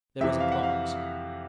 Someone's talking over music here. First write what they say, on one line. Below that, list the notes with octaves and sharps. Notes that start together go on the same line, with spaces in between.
There was a pause.
F2 C3 E3 E5
F5
F#5
F5